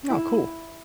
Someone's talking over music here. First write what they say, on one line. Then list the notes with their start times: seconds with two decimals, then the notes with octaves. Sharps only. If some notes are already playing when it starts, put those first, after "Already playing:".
Oh, cool.
0.10 E4